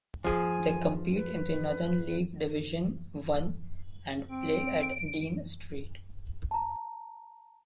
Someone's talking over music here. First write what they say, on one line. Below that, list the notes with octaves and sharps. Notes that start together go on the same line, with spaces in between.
They compete in the Northern League Division One and play at Dean Street.
F3 G#4 G#5
B4
C4 D7
A5 A#5